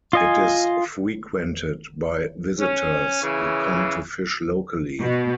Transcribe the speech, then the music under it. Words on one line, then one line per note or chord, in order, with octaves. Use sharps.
It is frequented by visitors who come to fish locally.
F4 D#5 G#5
C#4
C#3 E3
B2